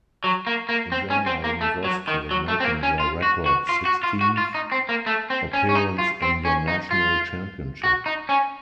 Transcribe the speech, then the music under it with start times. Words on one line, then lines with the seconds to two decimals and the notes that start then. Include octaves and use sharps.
Indiana University was making their record sixteenth appearance in the national championship.
0.24 F#3
0.47 A#3
0.69 A#3
0.92 C4
1.10 C#4
1.26 C4
1.44 A#3
1.61 A3
1.84 F#3
2.08 D#3
2.31 F#3
2.48 A3
2.60 C4
2.64 A#3
2.83 C#4
3.00 F4
3.22 F#4
3.46 F#4
3.69 F4
3.85 F#4
4.03 F4
4.21 F#4
4.37 F4
4.55 D#4
4.72 C4
4.89 A#3
5.06 A3
5.30 C4
5.53 C#4
5.69 C#4
5.75 D#4
5.98 F4
6.22 C4
6.45 C#4
6.68 D#4
6.91 F4
7.84 F#4
8.06 D#4
8.29 C#4